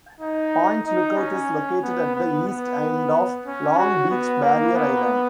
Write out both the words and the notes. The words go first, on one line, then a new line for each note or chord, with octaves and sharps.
Point Lookout is located at the east end of Long Beach Barrier Island.
D#4
D#4
C#4
B3
B3
B3
C#4
F#4
B3
A#3
B3